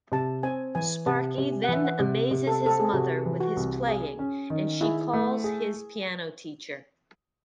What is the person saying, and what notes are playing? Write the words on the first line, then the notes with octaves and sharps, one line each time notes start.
Sparky then amazes his mother with his playing, and she calls his piano teacher.
C3 A5
C4 G#5
E3 G#5
C3 A5
C3
G#5
F#5
E3 E5
F#5
C3
C3
A4
C4 A4
G#4
C3 F#4
E3
F#4
C2
G#4
C#4
D#3
E4 G#4
A3
G#4